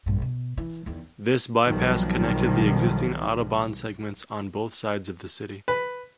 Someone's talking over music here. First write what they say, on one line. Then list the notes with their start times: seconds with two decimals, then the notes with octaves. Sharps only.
This bypass connected the existing Autobahn segments on both sides of the city.
0.06 A#1 G2
0.22 B2
0.57 E3
0.86 E2 D#3
1.66 B1 D#3 F3 G3
5.68 B4